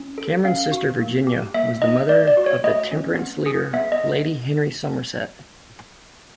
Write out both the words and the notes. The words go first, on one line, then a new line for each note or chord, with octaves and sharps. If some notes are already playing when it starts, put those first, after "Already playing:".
Cameron's sister Virginia was the mother of the temperance leader Lady Henry Somerset.
Already playing: C#4
A4
C#4 F5
F#4
A#3
G4
A#3 E5
D#4 D#5
A3 D5
D5
F#4
C#5
A3 D#5
C#4
B3
G#4
B3 E5
D#5